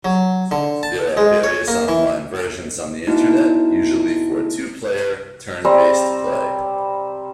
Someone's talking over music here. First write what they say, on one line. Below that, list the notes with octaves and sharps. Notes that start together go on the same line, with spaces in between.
There are various on-line versions on the internet, usually for two-player, turn based play.
F#3
D3
A5
G#3
C#5
A#3
E3
A3 B3 D#4 E4 F#4
G3 C4 A#5